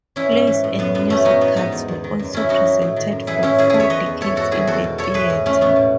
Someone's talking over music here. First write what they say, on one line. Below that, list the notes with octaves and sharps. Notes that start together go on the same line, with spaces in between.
Plays and musicals were also presented for four decades in the theatre.
E3 C#4 E4
G#2
E3
A2
F#2 B3
F#2 B3
E3 A3 C#4
A2 B3 D#4
E3 B3
G#2 B3 D#4
E2
E2
D#3
F#2
D#3 C#4 E4
F#2 D#4 F#4
E3
A2
D#3
F#2
E3 E4 G#4
A2 C#4 E4
D#3 E4 G#4
E2 E4 G#4
C#5 E5
E2 B4 D#5
E2
E3 A4 C#5
G#2 F#4 A4
D#3 E4 G#4
E2 F#4 A4
B2
E2 A4 C#5
E3 G#4 B4
G#2
E3 A3 C#4
A2 B3
B2